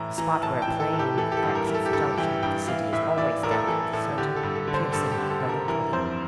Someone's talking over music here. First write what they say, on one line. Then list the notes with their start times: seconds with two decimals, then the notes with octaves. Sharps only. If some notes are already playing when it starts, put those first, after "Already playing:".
The spot where a plain effects its junction with a city is always stamped with a certain piercing melancholy.
Already playing: A2 E3 A#5
0.18 E3 A#5
0.43 A2 A5
0.62 G5
0.68 E3
0.80 A4
0.93 A2
0.99 G4
1.18 E3 A4
1.32 G4
1.37 A4
1.43 G2
1.55 A#4
1.67 E3 A#4
1.74 A4
1.86 G4
1.93 G2 A4
2.18 E3 G5
2.43 G2 G5
2.68 E3 F5
2.93 A2 E5
3.18 E3 D5
3.43 A2 A#4
3.51 A4
3.58 A#4
3.67 E3 A4
3.93 A2 A4
4.18 D3 G4
4.36 A4
4.43 G2
4.55 A4
4.68 D3
4.74 C5
4.92 G2 A4
5.12 G4
5.18 D3
5.30 A4
5.43 G2
5.49 A#4
5.68 E3 A#4
5.93 F2 C5